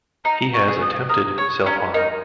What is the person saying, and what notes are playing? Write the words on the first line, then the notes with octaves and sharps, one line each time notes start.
He has attempted self-harm.
D#4 A#5
C#6
G#4
D#6
A#4 D#6
C#5 C#6
C#4 A#5
D#4 A#4